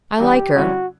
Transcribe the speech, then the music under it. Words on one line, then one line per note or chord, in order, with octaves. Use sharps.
I like her.
G2 E3 G3 D4 G4
G2 D3 G3 C#4 E4 F#4